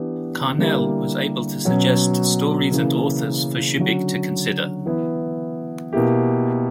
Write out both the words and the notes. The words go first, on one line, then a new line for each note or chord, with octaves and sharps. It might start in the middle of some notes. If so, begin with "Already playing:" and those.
Carnell was able to suggest stories and authors for Shubik to consider.
Already playing: E3 B3 D4 G4
D3 G3 A#3 E4 G4
B2 F#3 C#4 F#4
C#3 E3 A#3
D3 F#3 C#4 F#4
E3 B3 E4
B2 A#3 E4 G4